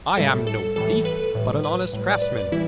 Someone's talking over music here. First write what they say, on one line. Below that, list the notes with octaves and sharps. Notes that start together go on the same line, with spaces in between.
I am no thief, but an honest craftsman.
A2 G3 A4
A4
A2 E3 G3 A4
B4
A2 G3
B4
A2 G3
D5
B4
D5
E3 G3 E4